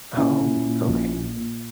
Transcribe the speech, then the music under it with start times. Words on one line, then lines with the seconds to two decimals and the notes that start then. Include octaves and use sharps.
Oh, okay.
0.17 A#2 C#4 E4
0.40 A#2
0.65 A#2
0.88 A#1
1.13 A#2
1.36 A#2